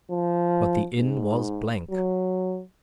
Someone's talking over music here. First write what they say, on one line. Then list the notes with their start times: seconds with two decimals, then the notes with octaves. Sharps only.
But the inn was blank.
0.11 F3
0.98 G#2
1.91 F#3